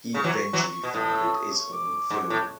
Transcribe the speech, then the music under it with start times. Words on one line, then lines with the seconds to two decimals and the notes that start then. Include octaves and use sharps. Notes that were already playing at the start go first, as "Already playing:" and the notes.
He eventually founded his own firm.
0.14 C#3 C#6
0.24 E3 F#3
0.53 E3 F#3
0.83 B2
0.94 A2 D#6
1.13 E6
1.33 D#6
1.52 C#6
1.72 D6
2.10 G#2
2.30 A2